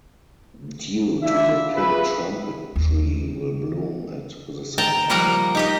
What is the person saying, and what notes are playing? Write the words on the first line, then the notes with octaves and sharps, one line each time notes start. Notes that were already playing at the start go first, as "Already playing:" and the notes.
Due to the pink trumpet tree will bloom at the same time.
D4 E4 F4 D5 E5
F4 G#4 B4 E5
D#2
G5 A5 A#5
F3 G3 A#3 A#4 F#5 A#5
D#4 G4 D#5